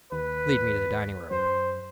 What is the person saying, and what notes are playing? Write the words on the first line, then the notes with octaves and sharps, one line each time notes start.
"Lead me to the dining-room."
D#2 B4
F#2 C5